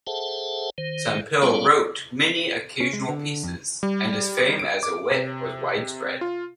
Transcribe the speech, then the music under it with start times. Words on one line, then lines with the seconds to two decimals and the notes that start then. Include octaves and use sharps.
Sempill wrote many occasional pieces, and his fame as a wit was widespread.
0.07 G#4 A4 C5 E5 F#5 A5
0.78 D#3 C5
1.42 G3 B3 C#4 F4 D5 F5
2.80 C#4
2.93 G#3
3.09 D3
3.43 F2
3.83 G3
4.59 D7
4.83 D6
5.11 C3
6.21 F4